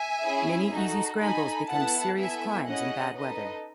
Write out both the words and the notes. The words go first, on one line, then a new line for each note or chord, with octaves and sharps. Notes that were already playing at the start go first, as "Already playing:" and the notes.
Many easy scrambles become serious climbs in bad weather.
Already playing: E5 G#5
C#4 E4 G#4
D#4 F#4 A4
D#4 A4 G#5 B5
B3 E4 A4 F#5 A5
B3 E4 A4 E5 G#5
C#4 E4 G#4 D#5 F#5
D#4 A4 B4 D#5